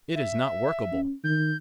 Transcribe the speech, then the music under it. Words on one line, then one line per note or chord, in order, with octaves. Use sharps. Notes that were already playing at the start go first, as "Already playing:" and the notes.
It is not workable.
E5
C#4
D#3 G6